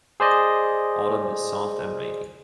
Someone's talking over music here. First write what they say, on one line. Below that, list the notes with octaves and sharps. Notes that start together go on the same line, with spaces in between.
Autumn is soft and rainy.
G#4 C5 D5 D#5